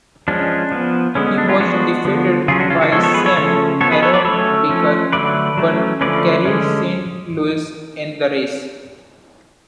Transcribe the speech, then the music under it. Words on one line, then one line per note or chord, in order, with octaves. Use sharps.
He was defeated by Sam Aaron Baker, but carried Saint Louis in the race.
F3 G#3 C#4 D4
F3 B3
D3 G#3 B3 C#4
C#4
D4
C#4 F4
F3 G#3 B3 D4 F#4
D3 F3 B3
C#3 F#3 C#4 F4 G#4
D4 F#4
C#4 F4
D4 F#4
F3 G#3 B3 A4 C#5
A4 C#5
G#4 B4
A4 C#5
C#3 F3 A3 C#4 A4 C#5
F3 B3 A4 C#5
G#4 B4
A4 C#5
B4 D5
F#3 A3 C#4 A4 C#5
F3 A3 C#4
D3 F#3 A3 B4 D5
F#3 A3 C#4
D3 F3 A3 C#4 B4 D5
D3 G#3 C#4